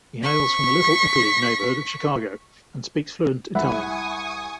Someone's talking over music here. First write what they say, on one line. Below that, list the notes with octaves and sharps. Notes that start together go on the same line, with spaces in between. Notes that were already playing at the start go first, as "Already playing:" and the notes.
He hails from the Little Italy neighborhood of Chicago and speaks fluent Italian.
C#6 B6
C2 E5 F#5 G#5 B5 C#6 D#6